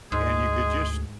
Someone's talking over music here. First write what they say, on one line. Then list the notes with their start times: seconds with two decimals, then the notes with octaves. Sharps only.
and you could just
0.12 D2 G#2 G#3 G#4